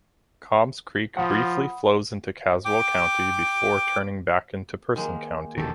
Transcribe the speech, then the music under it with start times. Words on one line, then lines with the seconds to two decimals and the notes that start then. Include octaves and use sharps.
Cobbs Creek briefly flows into Caswell County before turning back into Person County.
1.17 F3 F#5 B5 D#6
2.65 G5 D6
4.96 D#3 G#3 A#3
5.58 E1 B1 D#3 G4 A4